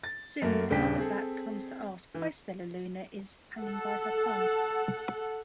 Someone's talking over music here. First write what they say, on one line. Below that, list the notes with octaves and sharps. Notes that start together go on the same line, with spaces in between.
Soon another bat comes to ask why Stellaluna is hanging by her thumbs.
A6
F#2 A3 A#3
D#1 C#3 D4 G5 B6
C4 G#4 A4
E3
A4 F#5